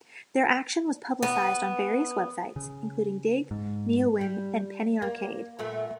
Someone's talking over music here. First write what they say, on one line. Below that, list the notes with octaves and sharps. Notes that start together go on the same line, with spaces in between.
Their action was publicized on various websites, including Digg, Neowin, and Penny Arcade.
B3
C#3
G#2
G3
A#3
A#2 A3 B3